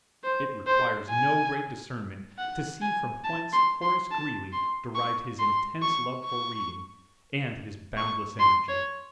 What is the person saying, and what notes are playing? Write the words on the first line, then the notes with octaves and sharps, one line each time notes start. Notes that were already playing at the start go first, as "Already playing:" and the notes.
It requires no great discernment to see from whence Horace Greeley derived his intense love for reading, and his boundless energy.
C5
C5
G#5
F#5
G#5
A5
C6
C6
A5
C6
C#6
C6
C#6
C#6
C#6
C6
C#5